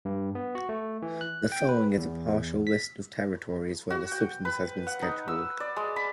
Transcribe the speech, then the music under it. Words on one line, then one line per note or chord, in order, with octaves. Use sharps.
The following is a partial list of territories where the substance has been scheduled.
G2
B3
F#4
A3
E3
F#6
G5
B4
E2
B6
F#4
G5
B4
F#5
D#4
E6
D5
G#3
B5